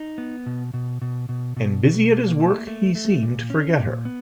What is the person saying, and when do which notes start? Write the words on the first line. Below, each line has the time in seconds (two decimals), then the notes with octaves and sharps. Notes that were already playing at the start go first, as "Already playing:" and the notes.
And busy at his work he seemed to forget her.
Already playing: D#4
0.18 B3
0.46 B2
0.74 B2
1.02 B2
1.29 B2
1.57 B2
1.85 B2
2.12 A#3
2.40 A3
2.68 A3
2.95 A3
3.23 A#2
3.50 C#4
3.78 A#2
4.05 B3